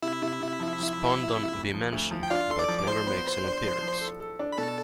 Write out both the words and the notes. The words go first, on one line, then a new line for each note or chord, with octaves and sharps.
Spondon be mentioned but never makes an appearance!
C3 E4 E5
C3
C3
F3
F3
F3
F3
C3
D2
F3
D2
F3
G5
D4 F4 F5
A4 C6
D5 D6
F3
D6
F3 C5 C6
B3
B3
D4
F3
F3
A4
A4
D4
B5
B2 A4 A5